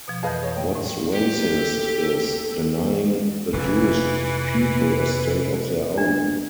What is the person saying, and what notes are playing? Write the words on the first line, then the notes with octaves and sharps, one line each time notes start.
What's racist is denying the Jewish people a state of their own.
B2 F3
F2 E3 B4 D#5 F5
C#5 A5
G5
A2
D#4 G4
A4
F1 F2 E3
D4